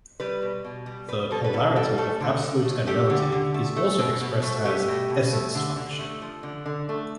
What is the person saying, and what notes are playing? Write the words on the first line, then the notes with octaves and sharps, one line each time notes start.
The polarity of absolute and relative is also expressed as "essence-function".
G3 B4
B2
B2
G3
G3 B4
B2 A4
B4
B2 A4
G3 A4
A3 A4
D3
D3
A3
A3 G4
D3
D3
A3
A3
B2
B2
A3
A3 G4
B2
B2
A3
D3
D3
A3
F3
D3
D3
A3